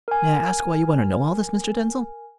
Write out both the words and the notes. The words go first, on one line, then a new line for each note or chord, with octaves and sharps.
"May I ask why you want to know all this, Mr. Denzil?"
A#4 G#5